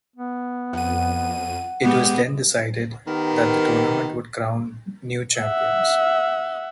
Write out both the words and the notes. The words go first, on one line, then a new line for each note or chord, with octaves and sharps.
It was then decided than the tournament would crown new champions.
B3
F2 F#5 D#7
G#3 B3 G4
D#3 B3 G4 A#4
E5 F#5